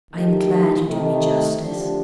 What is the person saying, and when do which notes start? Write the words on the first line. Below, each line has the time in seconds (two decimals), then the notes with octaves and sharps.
I am glad you do me justice.'
0.14 D#3 A3 D#4 G4
0.88 C3 D#3 A3
1.60 D3 F3 A3 D4 G4